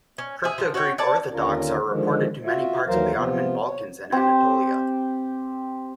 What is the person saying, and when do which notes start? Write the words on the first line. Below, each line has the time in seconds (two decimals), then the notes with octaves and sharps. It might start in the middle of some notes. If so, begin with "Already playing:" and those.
Crypto-Greek Orthodox are reported to many parts of the Ottoman Balkans and Anatolia.
0.18 C#4
0.44 G#4 E5
0.58 F3
0.74 F#4 C#5 D5 G5
0.98 C#5 D5 A5
1.32 D#2 D3 C#4 F4 A#4
1.89 D3 D#3 F3 G#3
2.45 F4 F#4 E5
2.88 D#2 E3 F#3 A#4 C5 F5
3.14 C3 F3 B3 F4
3.67 C#5
4.12 C4 G4